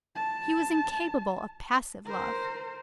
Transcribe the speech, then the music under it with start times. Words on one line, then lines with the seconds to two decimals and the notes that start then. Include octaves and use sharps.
He was incapable of passive love.
0.15 A5
2.05 A#4 C5